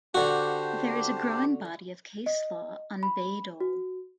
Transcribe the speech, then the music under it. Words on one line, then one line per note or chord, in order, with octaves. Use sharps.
There is a growing body of case law on Bayh-Dole.
D3 D4 F#4 G4 C5
D#5
B5
F#4